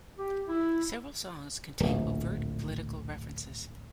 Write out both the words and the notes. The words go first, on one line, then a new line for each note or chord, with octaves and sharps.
Several songs contain overt political references.
G4
E4
D1 A#1